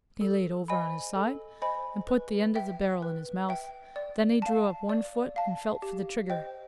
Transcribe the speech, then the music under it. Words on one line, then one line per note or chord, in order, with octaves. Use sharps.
He layed over on his side and put the end of the barrel in his mouth, then he drew up one foot and felt for the trigger.
A4
C5 D#5 G#5 B5
A4
C5 D#5 G#5 B5
B4
E5 G5
B4
E5 G5
D5
F5 A5
D5
F5 A5
G4
C5 D#5 G5